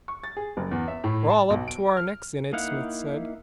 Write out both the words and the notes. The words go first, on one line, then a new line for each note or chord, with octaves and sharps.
"We're all up to our necks in it," Smith said.
C#6
A6
G#4
F#1
E2
E5
A2
A5
B1
D7
F6
A#3 D#4 E4 F5 F#5